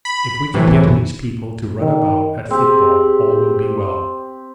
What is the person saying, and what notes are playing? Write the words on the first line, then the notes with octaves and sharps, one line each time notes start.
If we can get these people to run about at football all will be well.
B5
A2 C3 E3
C4
F#2 B2
D#3
C4 G4 G#4